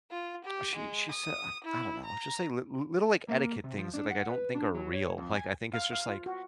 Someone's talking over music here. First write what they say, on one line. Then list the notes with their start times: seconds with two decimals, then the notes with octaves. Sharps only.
She she said I I don't know, it's just, like, li li little, like, etiquette things, that, like, I don't think are real. Like, I think it's just, like,
0.11 F4
0.45 G4
0.76 G#3
1.11 D#6
1.65 E4
2.05 A#5
3.28 A#3
3.64 C3
3.78 F3
3.94 D4
4.11 F#5
4.29 B4
4.55 D4
4.75 F#3
4.93 C#5
5.18 F2
5.35 G#5
5.74 F5
5.93 F5
6.06 F4
6.26 F#4